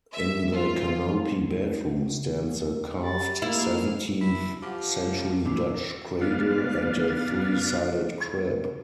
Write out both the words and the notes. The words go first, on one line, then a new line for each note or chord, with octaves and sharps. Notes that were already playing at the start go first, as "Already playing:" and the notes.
In the canopy bedroom stands a carved seventeenth-century Dutch cradle and a three-sided crib.
E5
F4
G4 B5 A6
F2 G#2 A#3 E4 F6 C7
E4
F3 G4 F#5 D6
F#2 A#2 D#3 E3 D6 C7
B3 D4 F5